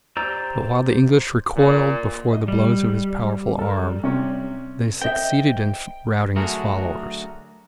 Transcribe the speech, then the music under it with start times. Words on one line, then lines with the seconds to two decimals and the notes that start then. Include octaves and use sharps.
But while the English recoiled before the blows of his powerful arm, they succeeded in routing his followers.
0.17 G4 C5 D5 A#5 E6
1.56 A#2
2.33 D#5
2.48 G3
3.59 A4 A#4
4.04 C3 C#4
5.02 C5 D#5 E5 G5
6.36 D3 F#3 A3 F#4 G#4 A#4